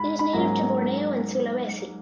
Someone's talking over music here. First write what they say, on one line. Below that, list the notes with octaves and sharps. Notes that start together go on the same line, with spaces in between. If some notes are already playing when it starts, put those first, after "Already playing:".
It is native to Borneo and Sulawesi.
Already playing: G#2 B5
B5
G#2 F#3 A#3 C#4 A#5